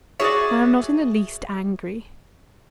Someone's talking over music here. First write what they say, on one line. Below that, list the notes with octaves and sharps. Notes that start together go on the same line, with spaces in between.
"I am not in the least angry."
F#4 G#4 C#5 D5 E5